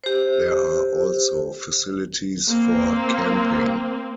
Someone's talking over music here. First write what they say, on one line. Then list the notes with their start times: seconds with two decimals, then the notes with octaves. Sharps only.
There are also facilities for camping.
0.04 G4 C5
2.49 A#3 C4